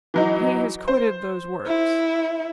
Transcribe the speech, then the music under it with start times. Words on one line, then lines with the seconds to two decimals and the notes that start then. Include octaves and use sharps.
'He has quitted those works.
0.14 E3 F#3 D#4
0.88 C5
1.67 E4